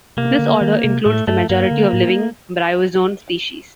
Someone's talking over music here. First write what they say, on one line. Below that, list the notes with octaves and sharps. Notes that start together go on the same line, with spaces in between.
This order includes the majority of living bryozoan species.
C3 A#3
D3
D#3
C3
A2 A3
G2 A3
G2 A#3
D3
A2